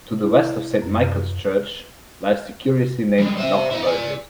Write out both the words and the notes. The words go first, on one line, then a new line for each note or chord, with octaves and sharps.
To the west of St.Michael's Church lies the curiously named 'Nock Verges'.
E4
F#2
G3 G#3
C5 E5
E4 D#5
D5 G#5